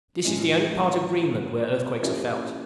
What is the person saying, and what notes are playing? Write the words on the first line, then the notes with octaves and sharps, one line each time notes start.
This is the only part of Greenland where earthquakes are felt.
A2 F3 G#3 C#4 E4
F3 A#3 C#4 E4 G4